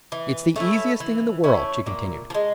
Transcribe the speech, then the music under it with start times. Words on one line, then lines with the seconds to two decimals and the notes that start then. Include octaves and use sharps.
"It's the easiest thing in the world," she continued.
0.12 E3
0.56 A3 C#4 E4
1.00 E3
1.44 A3 C#4 E4
1.86 A#2
2.30 F3
2.34 G#3